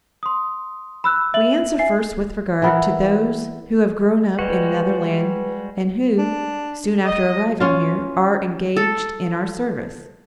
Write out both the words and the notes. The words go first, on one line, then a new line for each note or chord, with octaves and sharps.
We answer first with regard to those who have grown up in another land, and who, soon after arriving here, are engaged in our service.
C6 D#6
B5 E6 F#6
E5 F#7
E5 G#5 C7
E3 B3 A#4
G3 G#3 F#4 B4
D4
D#5
C#4 F4
A4